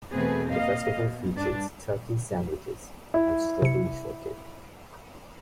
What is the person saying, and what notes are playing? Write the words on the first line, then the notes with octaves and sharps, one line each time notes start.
The festival features Turkey sandwiches and Strawberry Shortcake.
E2 B2 A3 C4 G#4 B4
A#3 D#5 F5
B2
G2 D4
E4
C3 C#7